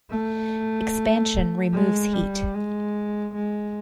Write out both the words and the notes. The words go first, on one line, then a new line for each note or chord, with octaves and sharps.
Expansion removes heat.
A3
G#3
G3
G#3
G#3